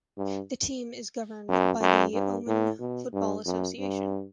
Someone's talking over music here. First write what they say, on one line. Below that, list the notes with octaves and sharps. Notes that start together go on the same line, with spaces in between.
The team is governed by the Oman Football Association.
G2
F#2
F#2
G2
A2
B2
G2
F#2
G2